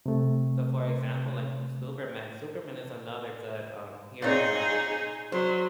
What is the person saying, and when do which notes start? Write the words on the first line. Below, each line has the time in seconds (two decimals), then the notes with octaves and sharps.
So, for example, like, Superman, Superman is another good, um, hero that
0.06 C3 A3
4.22 A#2 C4 D#4 G#4 C#5
5.32 F#3 C5